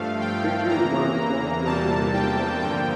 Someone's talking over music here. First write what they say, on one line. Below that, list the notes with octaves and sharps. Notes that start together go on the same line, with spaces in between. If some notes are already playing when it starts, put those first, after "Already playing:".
Victory is one of the smallest villages in New York.
Already playing: G2 F3 A3 F5
G5
E2 E3 A#3 A#5
E2 C3 G3 A#3 A5
G5
G2 D3 F3 A#3 G5